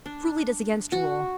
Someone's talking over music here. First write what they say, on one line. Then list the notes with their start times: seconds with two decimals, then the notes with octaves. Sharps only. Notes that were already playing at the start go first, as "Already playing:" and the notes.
Truly it is against rule.
0.06 D4
0.92 F#4